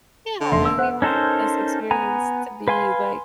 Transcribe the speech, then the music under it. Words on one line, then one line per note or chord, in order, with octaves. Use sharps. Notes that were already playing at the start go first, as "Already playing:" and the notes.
Yeah, and we want this experience to be, like
D3
F1 E5 C6
E6
C5 F#5
C#4 D#4 A4 A#4 C5
B3 G#5 A#5
B4 F5 G#5 C6